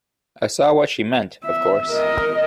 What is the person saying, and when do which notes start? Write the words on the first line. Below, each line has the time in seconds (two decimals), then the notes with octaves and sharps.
I saw what she meant, of course.
1.44 E5
1.90 A#4 D#5